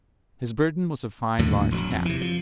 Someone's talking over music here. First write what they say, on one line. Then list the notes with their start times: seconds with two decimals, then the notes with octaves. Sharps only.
His burden was a fine large cat.
1.39 D#2 A2 D3 F#3
1.71 E1 F3 F#3
1.90 F2
2.05 C3 E3
2.21 F3